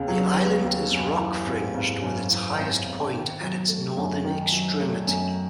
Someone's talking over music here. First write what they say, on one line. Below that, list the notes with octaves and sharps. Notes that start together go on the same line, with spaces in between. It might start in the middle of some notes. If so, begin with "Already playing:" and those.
The island is rock fringed with its highest point at its northern extremity.
Already playing: D#2 C#3 B3
F#3
B3
D#2
F#2
E3
G#1
G#1
F#2
E3
G#1
G#1
D#3
F#3
A3
F#2
D#3
F#3
A3
F#2